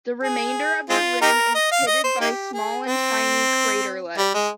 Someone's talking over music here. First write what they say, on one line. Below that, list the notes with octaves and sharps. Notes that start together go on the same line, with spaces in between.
The remainder of the rim is pitted by small and tiny craterlets.
G#4
G#3 C4 F4
D#4 G4 A#4
D#5
F5
D#5
C5
A#3 D#4 G4
G#4
C4
G3
G#3